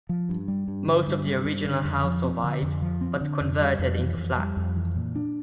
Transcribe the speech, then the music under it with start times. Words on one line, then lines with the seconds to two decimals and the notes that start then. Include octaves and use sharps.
Most of the original house survives, but converted into flats.
0.09 F3
0.29 G2
0.48 G3
0.68 G2
0.87 D3
1.07 G2
1.26 G3
1.45 G2
1.65 D3
1.85 F2
2.04 F3
2.24 C4
2.44 D3
2.62 F2
2.82 F3
3.01 C4
3.21 D3
3.40 F2
3.60 G3
3.79 F2
3.98 E3
4.18 F2
4.37 G3
4.57 F2
4.76 E3
4.96 A#2
5.15 D4